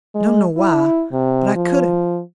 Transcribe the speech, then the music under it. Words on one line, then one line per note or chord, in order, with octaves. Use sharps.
I don't know why, but I couldn't.
G#3
E4
C3
F3